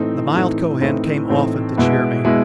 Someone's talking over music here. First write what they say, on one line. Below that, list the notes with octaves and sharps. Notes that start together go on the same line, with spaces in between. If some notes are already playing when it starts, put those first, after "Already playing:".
The mild Kohen came often to cheer me.
Already playing: A2 E3 A3 C4 D#4
A2 E3 A3 C4 D#4
A2 E3 A3 C4 D#4
A2 E3 A3 C4 D#4
B2 G#3 B3 E4
B2 G#3 B3 E4